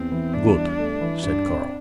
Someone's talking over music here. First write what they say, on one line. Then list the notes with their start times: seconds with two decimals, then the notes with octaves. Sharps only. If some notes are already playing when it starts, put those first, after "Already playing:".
"Good," said Carl.
Already playing: E2 C4
0.11 E3
0.34 E2 D4
0.56 G3
0.79 A3
1.01 E3
1.23 G2 D4
1.46 C4